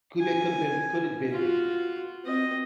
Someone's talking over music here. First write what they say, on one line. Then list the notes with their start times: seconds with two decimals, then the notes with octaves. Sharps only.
could they could have been could it have been,
0.21 G#5
1.31 F4 F#4
2.25 C4 D#5